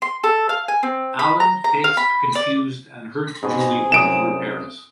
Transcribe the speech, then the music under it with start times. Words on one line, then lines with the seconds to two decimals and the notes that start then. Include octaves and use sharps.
Alan takes a confused and hurt Julie home to her parents.
0.02 C6
0.24 A4
0.49 F5
0.68 G#5
0.83 C4
1.19 B5
1.40 A#5
1.64 A#5
1.84 F5
1.97 B5
2.35 D5
3.43 G#2 B2 C4 G#4
3.92 C2 F#2 D#6 D7 E7